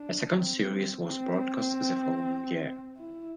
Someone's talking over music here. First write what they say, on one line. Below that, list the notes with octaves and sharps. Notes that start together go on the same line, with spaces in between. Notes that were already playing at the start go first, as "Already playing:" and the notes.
A second series was broadcast the following year.
Already playing: D4
C4
C4
E4